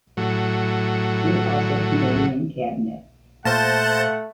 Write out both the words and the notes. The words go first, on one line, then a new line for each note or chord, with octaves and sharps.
See also Canadian Cabinet.
A2 F#3
A#2 A3 C5 F5 F#5 A5 A#6